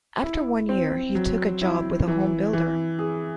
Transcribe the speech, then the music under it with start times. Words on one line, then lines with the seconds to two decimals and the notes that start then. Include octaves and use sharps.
After one year, he took a job with a home builder.
0.23 E4
0.69 C4
1.15 F#3
1.62 E4
2.08 E3
2.53 E3
2.99 G#4